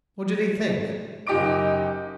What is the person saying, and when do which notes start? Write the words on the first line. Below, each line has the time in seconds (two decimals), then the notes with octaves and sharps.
What did he think?
1.27 F#1 D#4 G4 D#5 D6 D7